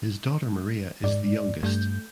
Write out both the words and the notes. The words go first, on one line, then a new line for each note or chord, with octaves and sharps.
His daughter Maria is the youngest.
G#2 D5
G2 A3 G6